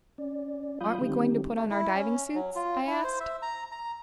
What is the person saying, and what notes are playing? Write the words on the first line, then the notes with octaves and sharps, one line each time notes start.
"Aren't we going to put on our diving suits?" I asked.
C#4 D5
F#3 F4 F5 B5 D#6 G6
D3 D#3 G3 C4 D#4 G4
A3
E4
C#4
F#3
F4
E4
C5
E5
A#5
A#5